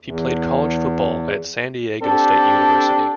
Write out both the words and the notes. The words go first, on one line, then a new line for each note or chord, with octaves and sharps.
He played college football at San Diego State University.
E2
C4 D4 G4 A4